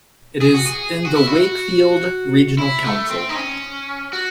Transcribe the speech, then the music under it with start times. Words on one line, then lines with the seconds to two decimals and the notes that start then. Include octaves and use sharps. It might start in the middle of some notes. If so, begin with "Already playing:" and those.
It is in the Wakefield Regional Council.
0.41 G#4
0.54 F#4
0.67 G#4
1.05 F#4
1.16 E4
1.28 F#4
2.58 E4
2.85 A3
3.10 C4
3.29 D#4
3.36 C#4
4.13 F#4